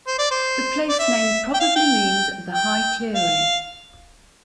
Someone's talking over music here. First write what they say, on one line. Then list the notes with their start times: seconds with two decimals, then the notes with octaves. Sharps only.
The place name probably means "the high clearing".
0.07 C5
0.19 D5
0.31 C5
0.89 D5
0.99 E5
1.54 G5
1.60 F5
1.76 G5
2.53 G5
3.15 F5